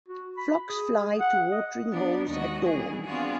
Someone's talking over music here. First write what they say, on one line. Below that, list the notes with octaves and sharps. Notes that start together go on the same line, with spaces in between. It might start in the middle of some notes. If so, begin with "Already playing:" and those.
Flocks fly to watering holes at dawn.
F#4
B5
G#4
F#5
D#5
B3 D4 D#4
D#2 G#3 D#4 F#4 D#5
E3 G3 G#4
B3 C4 D4 F4 F#4 G#4